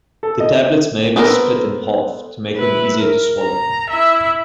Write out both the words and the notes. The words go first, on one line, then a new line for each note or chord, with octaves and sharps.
The tablets may be split in half to make them easier to swallow.
A4
D#5
B3 C4 A4 A#4
E4 B4
A#4
A#5
E4 E5